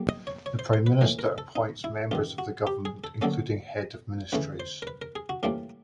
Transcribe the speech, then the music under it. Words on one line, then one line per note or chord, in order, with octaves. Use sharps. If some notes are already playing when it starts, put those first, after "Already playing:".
The Prime Minister appoints members of the Government, including heads of ministries.
Already playing: B1 G3 A#3
D#5
C#5
C#5
C5
C5
B4
A#1 A2 E3 A#4
A#4
A4
D#4
E4
A1 G2 D#3 F4
F#4
G4
G#4
A4
D2 D3 F#3 A#3 C#4 A4
D2 C#3 E3 A3 B4
C5
A#4
B4
A#4
G#4
F#4
A2 E3 G3 A#3 D4 F4